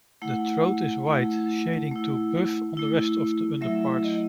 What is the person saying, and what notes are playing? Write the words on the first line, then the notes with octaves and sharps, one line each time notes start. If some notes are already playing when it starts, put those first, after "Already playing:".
The throat is white, shading to buff on the rest of the underparts.
A3 E4 F#5
A3 E4
A3 E4
A3 E4
F#3 A3 E4 E5
D#5